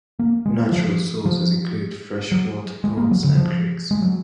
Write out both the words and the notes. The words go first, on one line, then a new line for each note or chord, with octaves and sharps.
Natural sources include freshwater ponds and creeks.
A#3
G#3
F3
F3
F#3
G#3
A#3
F#3
C#3
F3
G#3
F#3